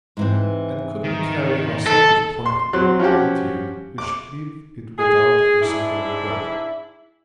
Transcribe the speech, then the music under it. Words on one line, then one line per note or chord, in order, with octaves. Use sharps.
And could we carry our selfish point with you, we should leave it without a single regret.
G#2 E3 C4
D#3
A4
C6
F#3 C4 C6 F#6
F3 C#4 F#4 G4
D6
G#4
G#2 D4 E4